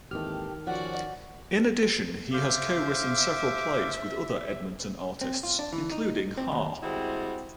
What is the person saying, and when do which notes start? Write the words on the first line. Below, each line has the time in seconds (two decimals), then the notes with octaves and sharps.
In addition, he has co-written several plays with other Edmonton artists, including Ha!
0.11 G#1 D#2 D#3 E3 G4 A4 F6
0.67 F3 C#4 F#4 D5 F#5
2.33 C5 E5 F5 D6
5.21 C4
5.43 F4
5.59 D4
5.73 E3
5.92 D#4
6.38 C4
6.52 D#2
6.82 G3 G#3 C4 E4 F#4